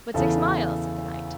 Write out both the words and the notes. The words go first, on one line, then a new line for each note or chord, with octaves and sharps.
But six mile, said the knight.
E2 C#3 E3 A4